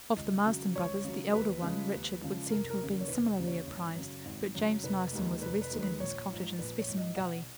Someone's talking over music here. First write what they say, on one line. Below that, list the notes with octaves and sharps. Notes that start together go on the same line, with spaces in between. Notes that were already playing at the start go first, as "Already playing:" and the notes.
'Of the Marston brothers, the elder one, Richard, would seem to have been similarly apprised, but James Marston was arrested in his cottage in Specimen Gully.
C#2 D#5
C#3 F#3
C#2 C#5
C#3 F#3
D#2 B4
C#3 F3 G#3
D#2
C#3 F3 G#3
F1 A#4
A#4
D#2 C#3
A#4
C#5
F1 B4
D#2 C#3
C#5
G#1
F#2 C#3 F#3
G#1
F#2 C#3 F#3
F1 B4
D#2 D#3 G#3
F1 B4
B4
D#2 D#3 G#3
B4
A#1 C#5
G#2 F3
A#1 B4
C#5
G#2 F3
D#5
B1 F#5